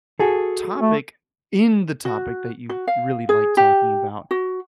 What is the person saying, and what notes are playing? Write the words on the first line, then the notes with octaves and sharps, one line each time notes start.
topic in the topic that you r really like talking about
F#4 G#4 A4
A3
F#4
F#4
F5
G#4
G4
F#4